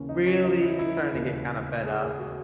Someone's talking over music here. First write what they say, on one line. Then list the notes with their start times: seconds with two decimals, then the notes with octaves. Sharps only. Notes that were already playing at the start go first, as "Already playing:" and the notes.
really starting to get kinda fed up,
Already playing: D#2 C#3 E3 C#4
0.09 D#4
0.27 C#4
0.44 D#4
0.62 E4
0.79 E4
0.97 E4
1.14 E1 D#2 C#3
1.85 G#4
2.02 G#4
2.19 F#4